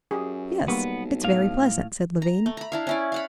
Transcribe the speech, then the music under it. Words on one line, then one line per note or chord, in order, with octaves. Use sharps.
"Yes, it's very pleasant," said Levin.
F#2 G4 G#4
B1 G3 A#3 B3
A2 F5
A#5
A3
A#5 B5
D4 E4 F5
C#4 E4 D5
F5 F#5 B5